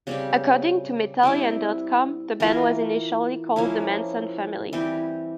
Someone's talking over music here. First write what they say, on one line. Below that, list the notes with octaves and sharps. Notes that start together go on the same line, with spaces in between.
According to metallian dot com, the band was initially called The Manson Family.
C#3 G3 C4 G4
G3 C4 E4
E3 A#3 F4 A#4
F3 A#3 C#4 E4
E3 G3 C4 G4